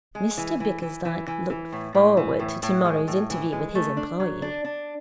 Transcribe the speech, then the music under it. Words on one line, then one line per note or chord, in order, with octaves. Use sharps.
Mr Bickersdyke looked forward to tomorrow's interview with his employee.
G#3
E3
E3
E3
E3
E3
E3
A2
A2
E3
A2
A2
G#3
A2
E3
G#3
A3
D4
F#3
D4
D4